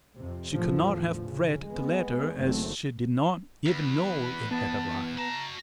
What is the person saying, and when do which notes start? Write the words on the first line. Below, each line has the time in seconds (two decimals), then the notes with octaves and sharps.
She could not have read the letter as she did not even know it had arrived.
0.16 F2 C3
0.53 E2 A2 D3 F3
1.24 C#3
1.68 G#3 B3
2.37 F#1 D#3 F#3 A3 C4
3.66 E2 B4
4.51 B3 A5
5.18 F#4 A5 A#5